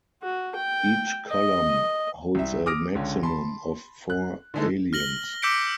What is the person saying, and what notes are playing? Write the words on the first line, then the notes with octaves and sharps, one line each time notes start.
Each column holds a maximum of four aliens.
F#4
G5
D#5
C2 E5
D6 D#6 F6 A#6 D7
C#2 D3 C#4
A5 B5 C6
F#6
D3 E3 G#3 A3 D#4
F6 A#6 F#7 G7
D6 E6 G6 B6 C#7 D7